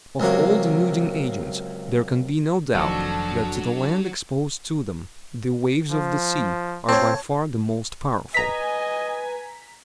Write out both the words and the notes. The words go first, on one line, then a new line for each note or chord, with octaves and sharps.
Of all denuding agents, there can be no doubt that, to the land exposed to them, the waves of the sea are by far the most powerful.
C#2 C3 F#3 A#3 F#4
F1 F2 D#3 F3 F#3 D4 F#4 A4
F3
C4 F4 C#5 A5
B4 D#5 G#5 A#5 B6